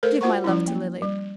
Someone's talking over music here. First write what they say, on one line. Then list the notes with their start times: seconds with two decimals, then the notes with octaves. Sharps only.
Give my love to Lily.
0.03 A3 A4 A#4 C5
0.21 F4 F#4 C5 F#5 A#5 C#6
0.44 F3 G3 C#4 E4
0.68 A#3
1.02 G3